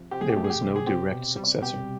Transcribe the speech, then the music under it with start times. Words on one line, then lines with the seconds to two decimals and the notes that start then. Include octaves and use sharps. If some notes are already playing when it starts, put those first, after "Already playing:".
There was no direct successor.
Already playing: C3 F3
0.11 C3 G4
0.21 G#4
0.29 G4
0.37 A3
0.44 G#4
0.50 G4
0.61 C3
0.76 G#4
0.87 C4 G4
1.12 B2
1.36 G3
1.62 B2 G4